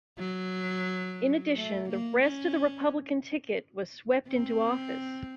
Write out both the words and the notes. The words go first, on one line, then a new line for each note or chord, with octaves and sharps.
In addition, the rest of the Republican ticket was swept into office.
F#3
A3
A#3
C#4
C4